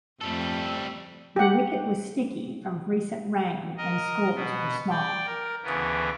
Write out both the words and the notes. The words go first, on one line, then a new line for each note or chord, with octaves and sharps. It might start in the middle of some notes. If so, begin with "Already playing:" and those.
The wicket was sticky, from recent rain, and scores were small.
F2 G3 A3 A4
G4 F#5
A#4 D#5
B2 B3
D5 G5
A#4
D2 C#3 E3 B3